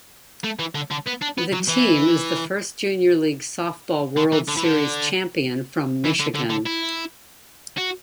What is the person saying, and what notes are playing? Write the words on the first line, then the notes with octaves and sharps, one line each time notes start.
The team is the first Junior League Softball World Series champion from Michigan.
A3
E3
D3
D3
B3
D4
B3
F#3
E3
D3
E3
D3
E3
D3
E3
D3
D3
D3
E4
F#4